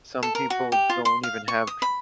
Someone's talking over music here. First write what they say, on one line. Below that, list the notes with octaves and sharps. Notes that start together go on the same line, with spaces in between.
Some people don't even have dr
A4
A#4
F#4
G4
F4
C6
F5
C#6
D#6
B5